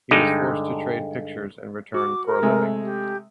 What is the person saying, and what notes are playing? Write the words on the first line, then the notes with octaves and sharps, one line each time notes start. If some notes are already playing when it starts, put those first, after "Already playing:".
He was forced to trade pictures in return for a living.
G2 D3 G3 G#3 D#4
F#4 D6
A#4
C3 G#3 A3
G4